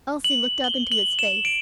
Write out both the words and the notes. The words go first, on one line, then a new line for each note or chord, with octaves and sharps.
Elsie looked up into his face.
F#7
G7
F#7
E7
D7